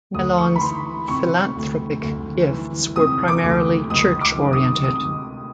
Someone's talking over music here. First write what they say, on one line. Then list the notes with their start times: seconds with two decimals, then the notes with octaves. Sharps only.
Mellon's philanthropic gifts were primarily church-oriented.
0.14 D2 D#6
0.38 C#6
0.56 B5
0.61 E3 C6
1.08 C3 C#6
1.56 D2
2.02 D2
2.49 E3
2.96 C3 D#6
3.28 D6
3.43 D2
3.90 C#2 D#6
4.21 D6
4.36 D#3
4.53 D#6
4.83 C3 D#6